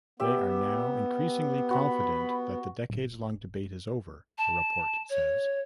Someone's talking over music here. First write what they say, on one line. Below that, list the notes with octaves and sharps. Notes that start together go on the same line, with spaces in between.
They are now increasingly "confident that the decades-long debate is over" a report says.
B3 G4 E5
F#4 B5
D1
A5
C#5